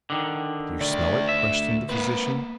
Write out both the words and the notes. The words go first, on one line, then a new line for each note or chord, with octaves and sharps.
"Do you smell it?" questioned the physician.
D3 D#3
D2 D5
E5
A#3 B4